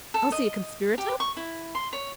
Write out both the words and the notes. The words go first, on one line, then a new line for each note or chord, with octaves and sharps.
Elsie a conspirator?
A4
D#5
G4
C#6
E4
C6
C#5